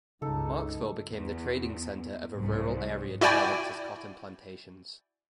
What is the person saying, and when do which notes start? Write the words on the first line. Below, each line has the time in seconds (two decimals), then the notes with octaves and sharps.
Marksville became the trading center of a rural area developed as cotton plantations.
0.22 C#2 G2 C#3 D#4 A4
1.12 E2
2.35 C2 G#2
3.21 E4 F#4 D5 G5 G#5